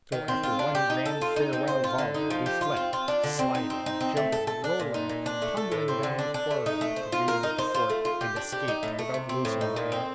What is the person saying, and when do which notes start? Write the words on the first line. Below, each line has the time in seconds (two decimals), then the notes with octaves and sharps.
So, after one grand farewell volley, we fled, sliding, jumping, rolling, tumbling down the quarry at the rear of the fort, and escaped without losing a man.
0.12 D#3
0.28 C4
0.43 F4
0.59 D4
0.75 G4
0.90 D#4
1.06 A4
1.21 F4
1.36 D#4
1.53 C4
1.68 C5
1.84 F4
1.98 D3
2.14 D#4
2.30 F3
2.46 G4
2.61 F4
2.76 C4
2.93 F4
3.08 D4
3.24 D3
3.39 C4
3.55 D#4
3.70 C4
3.86 D#4
4.01 C4
4.17 A3
4.32 A4
4.47 A4
4.64 D4
4.80 A#2
4.94 D#4
5.09 A#2
5.26 D4
5.42 A3
5.57 A4
5.72 A2
5.88 C4
6.03 D3
6.19 D4
6.34 D4
6.51 A3
6.66 D#4
6.81 A3
6.96 C5
7.12 F4
7.28 A#4
7.43 D#4
7.58 C5
7.75 F4
7.90 A3
8.05 F4
8.21 G4
8.36 D4
8.52 G4
8.68 D#4
8.83 A2
8.99 A3
9.14 C3
9.29 C4
9.45 A2
9.61 D#4
9.76 A#2
9.92 C4